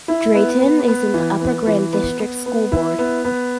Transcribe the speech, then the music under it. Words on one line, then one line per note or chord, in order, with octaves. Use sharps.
Drayton is in the Upper Grand District School Board.
E4
B3
B3
B3
E3
B3
E3
B3
B3
B3
E4
B3
B3